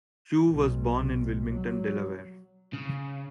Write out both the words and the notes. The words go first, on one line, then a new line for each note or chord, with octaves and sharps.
Shue was born in Wilmington, Delaware.
B1
F#3
C#3